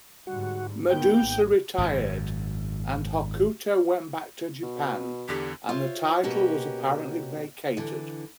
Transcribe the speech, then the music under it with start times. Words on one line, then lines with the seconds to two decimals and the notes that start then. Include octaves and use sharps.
Madusa retired and Hokuto went back to Japan and the title was apparently vacated.
0.27 G#2 D3 G3 F#4
0.90 D#3 A#3 B3 G5
1.25 G#1
1.78 G#1 F#2
4.62 B2
5.28 E2 D3 G4
5.69 F4 C5 C#5 E5
6.23 B2 A#3 C#4 F#4 G4
7.77 D3 E3